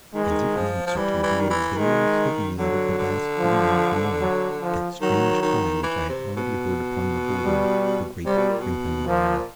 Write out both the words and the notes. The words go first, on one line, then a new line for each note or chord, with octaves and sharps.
As if in answer to his words there rose suddenly out of the vast gloom of the moor that strange cry which I had already heard upon the borders of the great Grimpen Mire.
D#3 G#3
E3
D#3
F3
F3
E3 G3
E3
D#3
E3
D#3 G#3
D3 F#3
D3
F3
F#3
F3
D#3 F#3
D#3
E3
C3
B2
G3
C3 G3
B2
A#2
B2
A#2 F3